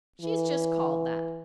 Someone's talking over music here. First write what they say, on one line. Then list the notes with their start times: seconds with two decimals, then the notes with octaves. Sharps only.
She's just called that.
0.21 E3